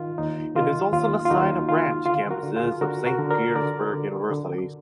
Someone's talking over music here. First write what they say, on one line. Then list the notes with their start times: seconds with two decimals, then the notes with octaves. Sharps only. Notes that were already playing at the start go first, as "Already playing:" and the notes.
It is also the site of branch campuses of St. Petersburg Universities.
Already playing: D#3 F4
0.18 D#2 D#4
0.55 D#3 F4
0.93 D#2 F4
1.25 F4
1.30 D#2 D#4 F#4
1.69 D#3 F4
2.06 D3 F4
2.31 F#4 A#4
2.43 D3
2.56 F4 G#4
2.81 D3 F#4 A#4
3.06 F#4 A#4
3.19 D3
3.30 A#4 D5
3.56 D3 A#4 D5
3.93 D3
4.31 D3